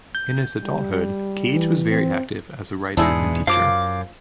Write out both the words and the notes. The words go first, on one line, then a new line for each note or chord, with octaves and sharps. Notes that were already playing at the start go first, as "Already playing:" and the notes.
In his adulthood, Cage was very active as a writer and teacher.
G6
G3
E3
C4
E2 G#2 B2 D4 E4 G#4
F#2 F3 F5 D6